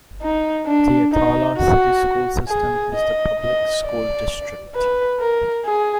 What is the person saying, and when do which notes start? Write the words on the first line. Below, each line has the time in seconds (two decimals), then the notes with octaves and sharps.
The Attalla City School System is the public school district.
0.22 D#4
0.66 D4
1.12 D#4
1.57 F#4
2.48 G#4
2.94 D#5
3.39 D#5
3.84 D5
4.75 B4
5.20 A#4
5.65 G#4